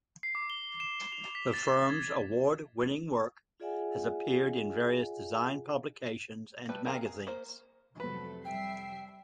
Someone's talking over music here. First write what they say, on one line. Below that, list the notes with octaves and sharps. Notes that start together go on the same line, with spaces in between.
The firm's award-winning work has appeared in various design publications and magazines.
C7
D6
G7
E7
F7
B6
A6
G#6
F4 G#4 D5 E5 F#5 G#5
G3 A3 B4
C4 G#4 A#4 F5 A#5
G#4
A#3 C5
C2 F2 F#3 A3 A4 B4 B5
G3 E5 G5 C7